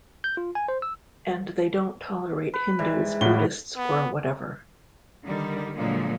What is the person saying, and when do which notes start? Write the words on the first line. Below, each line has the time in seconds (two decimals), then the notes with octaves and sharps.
And they don't tolerate Hindus, Buddhists or whatever.
0.24 G6
0.37 F4
0.55 G#5
0.68 C5
0.82 E6
2.54 B4
2.79 G#2 E3 G3
3.21 A2 F#3 A#3 B4 G7
3.77 B3
5.24 D3 D#3 G3
5.76 A#2 D3 F3 F#3 G#3 A#3